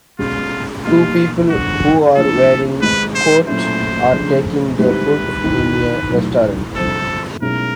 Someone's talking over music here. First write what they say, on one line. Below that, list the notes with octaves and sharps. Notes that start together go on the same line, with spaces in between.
Two people who are wearing coat are taking their food in a restaurant.
B2 G#3 C#4 F4
B2 G3 A#3 D#4 F4 G4
G1 F2 D3 F#4
D3 F3 A#3 D4 F4 A4
G#2 D#3 G#3 C4 D#4 B4
C5
A#2 F#3 A3 C#4 E4 C5
C#3 F3 A3 D4
G#2 D#3 G3 C4 E4 B4
E2 C3 D#3
B1 A2 F#3
G1 F2 C3 A4
B1 B2 G#3 C#4 E4 A#4